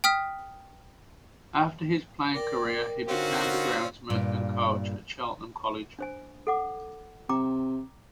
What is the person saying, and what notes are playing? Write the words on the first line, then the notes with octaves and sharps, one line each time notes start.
After his playing career he became the groundsman and coach at Cheltenham College.
G5 D#6 F6 B6
A#4 D5 G5
D3 C4 C#4 D#4 F4 F#4
G2 A#2
D4 C5 G#5
A4 F#5 D6
C3 G5 A#5 D6